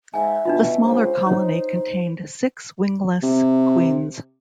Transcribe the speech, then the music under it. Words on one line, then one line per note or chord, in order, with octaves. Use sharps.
The smaller colony contained six wingless queens.
G#2 E5 G#5
B2 D4 D#4 F4
C#2 C5
D#4 C5 C#5
C3